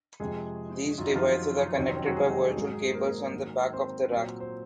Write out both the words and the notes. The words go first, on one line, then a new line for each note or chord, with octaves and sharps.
These devices are connected by virtual cables on the back of the rack.
F2 C3 F3 G#3 G#4
F#2 D#3 F#3 F4
D#4
F3 F4
F2 C3 D#3 F#3 C#4
C4
C#4
F#3 F#4
G#3 G#4
G#2 F#3
C5
A#3 A#4
G#2 D#3 F#3
C4 C5
A#2 F#3
C5